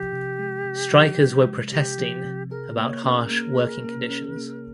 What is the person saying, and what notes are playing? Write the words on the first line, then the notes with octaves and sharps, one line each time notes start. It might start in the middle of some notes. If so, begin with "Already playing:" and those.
Strikers were protesting about harsh working conditions.
Already playing: C3 F3 G4
C3
G#3
C3
F3
C3
G#3
C3 G4
F3
C3
G#4 A#4
A#3 C#5
C#4 A#4
A#3
G#4
A#3
C#4
A#3